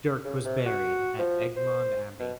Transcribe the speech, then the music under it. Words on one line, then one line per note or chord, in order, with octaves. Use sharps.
Dirk was buried at Egmond Abbey.
C#3
C3
F#4
F3
C5
B2